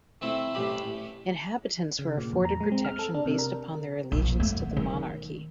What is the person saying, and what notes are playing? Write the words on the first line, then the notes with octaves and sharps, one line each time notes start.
Inhabitants were afforded protection based upon their allegiance to the monarchy.
A3 C4 E4
A1 A2 G4 B5
C#3
A#2
F2
A#5
G#3
C4
F6
A4
D4
C3
A#4
A#1
A3 B3
D#3